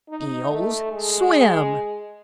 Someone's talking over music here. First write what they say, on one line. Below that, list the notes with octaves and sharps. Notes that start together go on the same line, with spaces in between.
"Eels swim!"
D#4
A3
G#3